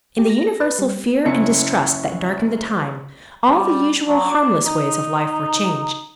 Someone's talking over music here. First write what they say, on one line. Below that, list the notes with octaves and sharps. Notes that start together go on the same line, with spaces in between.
In the universal fear and distrust that darkened the time, all the usual harmless ways of life were changed.
G4
A#6
B4
G3
F#1 C#4 E4 A5 C#7
G3
F#3
D4
D#4